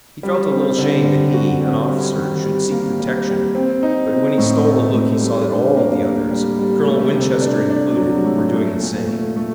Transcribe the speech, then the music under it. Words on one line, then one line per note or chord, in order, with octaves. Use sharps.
He felt a little shame that he, an officer, should seek protection, but when he stole a look he saw that all the others, Colonel Winchester included, were doing the same.
G3
C4
D3
G3
F#4
C4
G3
D#3
G3
A#3
G3
G3
C4
D#4
C4
A2
A3
A3
G3
D4
A#3
A#3
G3
G3
A3
C3
D4
D4
F#3
A3
A3
A#2
A3
A3